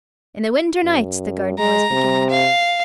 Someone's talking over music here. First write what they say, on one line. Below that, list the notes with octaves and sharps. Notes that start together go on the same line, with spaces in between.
"In the winter-nights--" the Gardener was beginning.
F#2
G#3 A#5
C3
F5